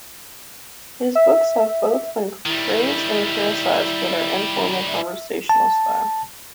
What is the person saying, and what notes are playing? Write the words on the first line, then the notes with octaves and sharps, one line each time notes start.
His books have been both praised and criticized for their informal, conversational style.
E5
D#3 G3 E4
E5
A5